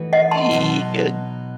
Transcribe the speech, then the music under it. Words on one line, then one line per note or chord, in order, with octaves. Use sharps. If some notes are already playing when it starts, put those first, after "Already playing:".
Ye uh,
Already playing: E3 A3 D#4 F#4 B4
D#5 F#5
A5 C6
B2 F#3 B3 D#4